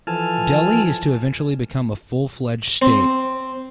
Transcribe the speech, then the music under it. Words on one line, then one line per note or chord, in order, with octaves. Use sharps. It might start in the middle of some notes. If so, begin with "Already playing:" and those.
Delhi is to eventually become a full-fledged state.
E3 F3 A4 G#5 A5 F6
C4